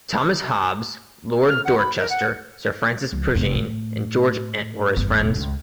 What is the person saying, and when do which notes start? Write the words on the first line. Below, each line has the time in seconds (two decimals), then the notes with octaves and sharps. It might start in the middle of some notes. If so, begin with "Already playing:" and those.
Thomas Hobbes, Lord Dorchester, Sir Francis Prujean and George Ent were his friends.
1.48 F6
1.65 F#5
1.78 B5
1.97 A#4
2.10 F#5
3.13 C#2 F3
3.35 F1 F2
3.55 A2
4.97 G1 E2
5.20 E1 D#4
5.36 C#2